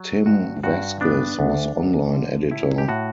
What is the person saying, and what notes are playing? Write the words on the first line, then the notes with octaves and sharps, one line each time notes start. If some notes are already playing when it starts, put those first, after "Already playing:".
Tim Vasquez was online editor.
Already playing: F#3
G2 F#4
G2 F#4
B3 D4
D2
D2
D3
A2 E4
G4
A2 F#4